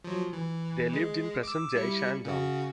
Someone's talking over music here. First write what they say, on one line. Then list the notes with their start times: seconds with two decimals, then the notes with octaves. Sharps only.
They lived in present-day Shandong.
0.04 F3 F#3
0.33 E3
0.93 G#3
1.43 D6 E6
1.75 G3 E4 C#7
2.25 C#3 F#4